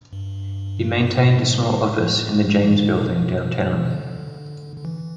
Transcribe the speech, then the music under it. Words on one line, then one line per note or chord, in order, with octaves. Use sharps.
He maintained a small office in the James building downtown.
G2
B2
A2
G2
A2
F3
E3
D3
C3
B2
C3
D3
D3
E3